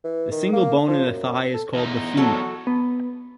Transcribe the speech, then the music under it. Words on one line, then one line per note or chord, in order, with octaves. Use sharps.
The single bone in the thigh is called the femur.
E3
D#3
A#3
F3
F#2
A4
E2 D#4
F#3 F#4 A4
B3